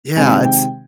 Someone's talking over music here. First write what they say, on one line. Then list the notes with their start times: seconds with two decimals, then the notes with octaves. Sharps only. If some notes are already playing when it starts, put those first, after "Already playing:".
Yeah, it's
0.16 C3 D#3 G#3 C4 G#5
0.45 G5